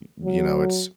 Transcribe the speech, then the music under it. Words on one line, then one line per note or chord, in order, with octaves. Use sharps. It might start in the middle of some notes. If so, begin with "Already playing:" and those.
Y you know, it's
F#3